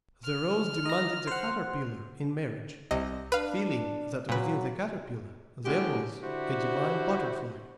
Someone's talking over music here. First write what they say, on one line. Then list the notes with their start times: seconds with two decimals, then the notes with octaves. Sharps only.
The rose demanded the caterpillar in marriage, feeling that within the caterpillar there was a divine butterfly.
0.24 F6
0.86 D#5 A#5
1.27 C5 F#5
2.91 C2 C3 D#5
3.32 D4 B4 F5
4.29 A#2 F#3 B4
5.64 A2 D3 G#3 C#4 F#4 G4
6.22 D3 E4 F#4 G4 C5